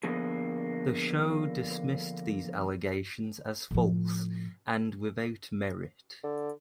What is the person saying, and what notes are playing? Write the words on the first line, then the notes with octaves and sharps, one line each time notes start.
The show dismissed these allegations as false and without merit.
D3 F3 A#3 B3 G#4
A2 F3
D3